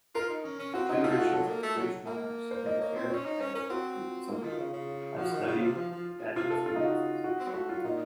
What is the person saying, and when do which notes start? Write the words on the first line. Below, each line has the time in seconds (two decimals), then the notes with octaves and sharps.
Generations of British monarchs and their heirs apparent and presumptive have studied Bagehot's analysis.
0.15 F4 A#4
0.29 D#4
0.44 C#4
0.59 C#4
0.74 C4 F#4
0.89 C4 D#4
1.04 A3 F4
1.18 F#4
1.33 F#3 A4
1.48 A#3
1.63 A3
1.77 F#3
2.07 A#3
2.51 C5
2.66 D#5
2.80 A#3 C#5
2.96 C4
3.04 C5
3.10 C#4 C#5
3.25 D#4
3.40 C#4 C5
3.55 C#4 A#4
3.69 C4 F#4
3.99 F4
4.29 A#3
4.43 D#3 F4
4.59 C#3
4.73 C#3
5.18 F3 F#4
5.32 D#3
5.47 C#3 F4
5.62 C3 F4
5.77 F3
5.92 F3
6.36 C3 F4
6.50 C3 A4
6.66 C#3 F4
6.76 D#4
6.85 F#4
7.24 F#4
7.40 C4
7.48 F#3
7.54 A3 F#4
7.69 F#3 F4
7.84 A#2 D#4